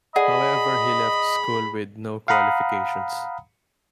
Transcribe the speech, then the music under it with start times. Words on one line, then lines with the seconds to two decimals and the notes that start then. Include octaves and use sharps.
However, he left school with no qualifications.
0.16 G#4 D5 D#5 F#5 B5
2.28 F5 F#5 A#5 B5 D#6